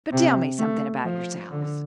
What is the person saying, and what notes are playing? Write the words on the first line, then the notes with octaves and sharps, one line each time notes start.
"But tell me something about yourselves."
C3
A3
F3
D3